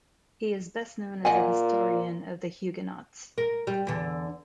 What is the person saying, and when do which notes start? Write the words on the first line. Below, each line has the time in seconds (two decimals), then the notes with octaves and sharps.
He is best known as a historian of the Huguenots.
1.25 A#2 D#5 F#5 G#5
3.38 A#4
3.67 G3
3.87 E2 D3